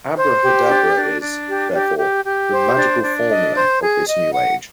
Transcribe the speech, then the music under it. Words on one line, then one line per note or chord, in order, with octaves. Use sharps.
Abrahadabra is, therefore, the "magical formula" of this new age.
C5
G4
D4
D4
D4
G4
G4
G4
G4
C5
D4
D4
D#5
C5
G#4
D#5
F#5